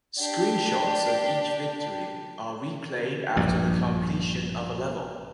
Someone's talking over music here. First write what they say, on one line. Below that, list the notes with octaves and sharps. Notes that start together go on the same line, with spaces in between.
Screenshots of each victory are replayed after the completion of a level.
D4 G4
A#1 G2